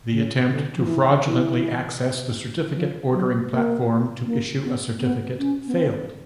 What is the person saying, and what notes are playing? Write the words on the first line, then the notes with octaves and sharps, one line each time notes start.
The attempt to fraudulently access the certificate ordering platform to issue a certificate failed.
C#3
D3
F3
E3
E3
F3
F#3
A#3
A#3
B3
B3
C#4
B3
C4